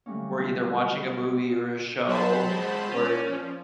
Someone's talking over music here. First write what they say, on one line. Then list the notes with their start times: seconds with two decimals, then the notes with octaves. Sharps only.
we're either watching a movie or a show. We're
0.06 D3 F#3 G3 A3 A#3 C#4
2.08 F#3 C5 A5 B5
2.50 G#3 F#4
2.93 C#4 D5
3.28 F3